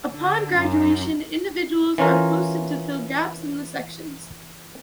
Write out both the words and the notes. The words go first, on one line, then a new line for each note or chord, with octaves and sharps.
Upon graduation, individuals are posted to fill gaps in the sections.
D3
F#2
E3 C#4 F4 A#4